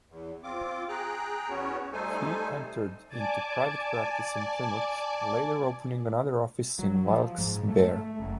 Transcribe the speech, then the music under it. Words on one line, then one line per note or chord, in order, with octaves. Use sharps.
He entered into private practice in Plymouth, later opening another office in Wilkes-Barre.
E2
C4 F4 D6
G#4 G5 A#5 F#6
E2 B3 C#4 F#4 C#5
G3 A3 D#4 A4 C5 G#5
D5 G#5 A5 D6
F#3
F3
G#2
A3
A3
F#1